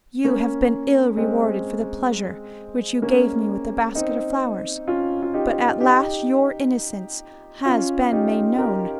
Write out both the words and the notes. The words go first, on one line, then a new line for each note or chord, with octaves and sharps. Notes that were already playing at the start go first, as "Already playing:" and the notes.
You have been ill rewarded for the pleasure which you gave me with the basket of flowers, but at last your innocence has been made known.
A#3 C#4
G#3 C4
A#3 C#4
C4 D#4
C#4 F4
F4
D#4 G4
D#4 G4
C#4 F4
D#4 G4
G4 A#4